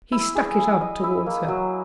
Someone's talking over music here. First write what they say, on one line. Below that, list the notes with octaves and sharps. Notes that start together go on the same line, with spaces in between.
He stuck it out toward her.
E4
G#4
E4
D#5
E4
A#3
F#3